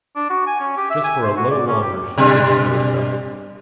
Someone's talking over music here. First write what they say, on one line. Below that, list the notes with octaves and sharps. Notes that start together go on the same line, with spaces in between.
Just for a little longer, she pleaded to herself.
D4
F#4
G#5
C#4
G4
E5
G#5
C5
F#4
D5
C#4
G4
B2 G3 D4